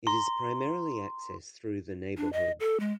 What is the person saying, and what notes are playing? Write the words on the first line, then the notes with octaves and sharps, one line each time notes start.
It is primarily accessed through the neighborhood.
A#5 C6
D4
D#5
A4
G#3